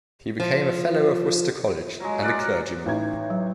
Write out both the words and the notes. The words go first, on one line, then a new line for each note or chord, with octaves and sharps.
He became a Fellow of Worcester College and a clergyman.
F3
F#3 G#3
A#4 D5 F#5
A1 D#4 G#6
F#3